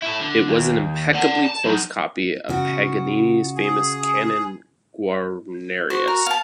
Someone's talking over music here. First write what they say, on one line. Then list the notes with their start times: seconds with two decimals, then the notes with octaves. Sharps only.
It was an impeccably close copy of Paganini's famous Cannone Guarnerius.
0.02 E4 A4
0.21 D3
0.48 D#2
1.14 D5 F#5
1.46 A5
1.65 F#3 D#4
2.49 C#3 F#4
3.56 G#4
5.90 F#4 C5
6.08 A#4
6.26 F5 A5